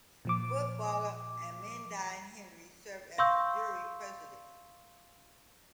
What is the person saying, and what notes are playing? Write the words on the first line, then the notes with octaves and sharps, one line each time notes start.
Footballer Amandine Henry served as the jury president.
A#2 F3 D6
F5 C6 C#6 E6 G6